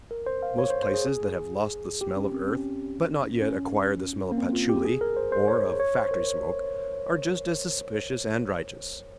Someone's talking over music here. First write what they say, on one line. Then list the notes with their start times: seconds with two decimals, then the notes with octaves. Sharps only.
Most places that have lost the smell of earth but not yet acquired the smell of patchouli--or of factory-smoke--are just as suspicious and righteous.
0.11 A#4
0.26 C5
0.43 F5
0.59 C#5
0.70 C5
0.83 C5
0.94 G#4
1.06 G#4
2.01 G4
2.16 C#4
2.32 C4
2.47 C#4
3.42 C#4
4.32 A#3
4.38 C4
4.53 F4
4.69 G4
4.85 G#4
5.01 A#4
5.17 C5
5.32 C5
5.48 C#5
5.80 C#5
5.95 C5
6.11 A#4